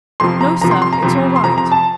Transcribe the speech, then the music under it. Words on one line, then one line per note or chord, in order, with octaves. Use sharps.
"No, sir, it's all right."
F2 C3 F3 C6
A#5
F2 C3 F3 A#5
C6
C6
A#5
F2 C3 F3
C6
F2 C3 F3 A#5
A#5
A5